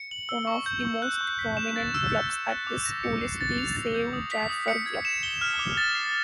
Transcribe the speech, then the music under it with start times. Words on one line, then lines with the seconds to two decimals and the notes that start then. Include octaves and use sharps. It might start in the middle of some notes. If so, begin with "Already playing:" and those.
One of the most prominent clubs at this school is the Save Darfur Club.
Already playing: C#7
0.11 F#7
0.29 E6
0.47 C#6
0.66 G6
0.85 C#6
1.02 F#6
1.21 C#6
1.39 B6
1.57 E7
1.76 A6
1.94 E6
2.12 C#7
2.30 E6
2.49 F#6
2.67 D6
2.86 A#6
3.03 C#7
3.21 C7
3.41 A6
3.58 F7
3.76 A6
3.94 G6
4.13 D#6
4.32 B6
4.50 D#6
4.68 C#7
4.86 G#6
5.05 E7
5.23 G7
5.41 F6
5.59 D6
5.77 A6
5.95 C7